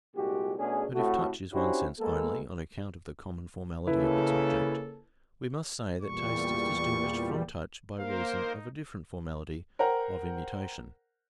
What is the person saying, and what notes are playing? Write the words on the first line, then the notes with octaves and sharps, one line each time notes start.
But if touch is one sense only, on account of the common formality of its object: we must say that taste is distinguished from touch by reason of a different formality of immutation.
C2 A#2 G#3 F#4 G4
B2 A3 C#4 D4 G#4
A2 C3 A3 F#4
C#4 D4 E4 F#4 G4 C5
G#3 A#3 B3 A4
C#3 A#3 E4 A4 B4
E2 A#2 G3 C#6
A#3 A#4 C5 F5
D#4
A#4 C5 F#5 G5 A#5